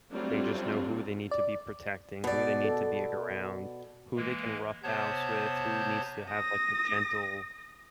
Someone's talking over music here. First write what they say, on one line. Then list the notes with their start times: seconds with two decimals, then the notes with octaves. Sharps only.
they just know who they need to be protecting, who they need to be around, who they can roughhouse with, who needs to have like a gentle
0.11 F#3 G3 A3 C4 D4 F4
1.31 D5
2.24 B2 D5
2.64 A4
4.16 E3 G#3 A#3
4.83 C3 B3 C5 C#5 A5 G6
6.31 D#6 A#6